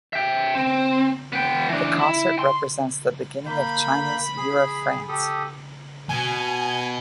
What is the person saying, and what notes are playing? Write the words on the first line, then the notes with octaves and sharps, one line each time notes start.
The concert represents the beginning of China's "Year of France".
E5 G5
C4
B3 G5
E3 D4
E4
C6
A#3 B5 G6
G#4
G4 A4 D#6
B2 G#5